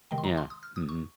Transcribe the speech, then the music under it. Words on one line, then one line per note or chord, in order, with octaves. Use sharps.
Yeah, mhm.
C3 D#3 G#3 G5
C6
A#5
C6
D#6
F6
D#6
C#6